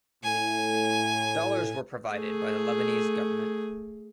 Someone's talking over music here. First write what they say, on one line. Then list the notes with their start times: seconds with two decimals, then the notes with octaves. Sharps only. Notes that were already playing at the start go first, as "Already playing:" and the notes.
Dollars were provided by the Lebanese government.
0.24 A2 G#5
2.12 A3 G#4